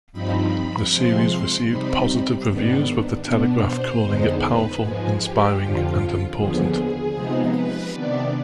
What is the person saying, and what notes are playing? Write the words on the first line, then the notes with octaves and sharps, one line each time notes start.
The series received positive reviews, with The Telegraph calling it powerful, inspiring, and important.
G2 F3 C4 D#4 B5
C3 F3 G#3 C6
C3 G3 C4 D#4 B5
G#2 D#3 B3 D4
B2 B3 D4
C5
F2 D3 G#3 B3 D#4
B4
G#2 F3 G#3 G#4
G4
F2 D3 F3 F4
D#2 D3 F3 B3 G#4
G#4
C3 F3 G#3 B3 D#4
B4
C3 D#3 B3 D4 D5